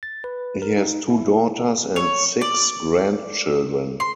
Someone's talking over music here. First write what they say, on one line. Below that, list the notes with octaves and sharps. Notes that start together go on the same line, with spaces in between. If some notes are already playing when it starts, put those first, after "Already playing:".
He has two daughters and six grandchildren.
A6
B4
A#4
D#4
E4
C#5
D5
C6